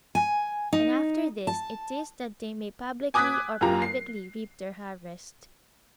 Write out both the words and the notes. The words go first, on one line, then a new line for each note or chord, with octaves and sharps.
And after this it is that they may publicly or privately reap their harvest.
G#5
D#4
A5
G#5 D6 D#6 F#6 G#6 B6
F#2 F4 G4 A#5
C7